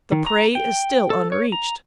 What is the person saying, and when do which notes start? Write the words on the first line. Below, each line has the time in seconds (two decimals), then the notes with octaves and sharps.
The prey is still unreached.
0.12 D#3
0.26 A#5
0.55 G5
1.10 A4
1.32 C#5
1.52 A#5